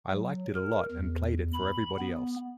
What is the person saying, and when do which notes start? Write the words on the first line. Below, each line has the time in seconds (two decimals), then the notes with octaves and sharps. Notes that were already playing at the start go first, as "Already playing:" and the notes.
I liked it a lot and played it for everybody else.
0.11 F#3
0.56 A#4
0.92 E2
1.53 B5
1.99 B3